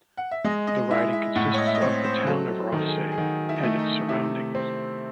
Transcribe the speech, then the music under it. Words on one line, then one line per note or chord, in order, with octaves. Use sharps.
The riding consists of the Town of Rothesay and its surroundings.
F#5
E5
G#3 D#5
D#5
E4 E5
E5
A2 F#5
C#5
D#5
E5
D#5
C4 C#5
C5
F#3 A4
D#3
A4
G#4
G#4
D#3 F#4
E4
D#4
A3 E4
D#4
C3 E4
C4